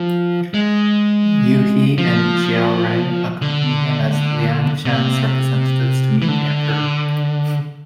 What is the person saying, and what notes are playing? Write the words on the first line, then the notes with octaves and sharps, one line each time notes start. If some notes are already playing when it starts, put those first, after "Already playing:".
Yue He and Xiao Rang accompany him as Liangshan's representatives to meet the emperor.
Already playing: F3
G#3
F3
D3
C3
E3
D3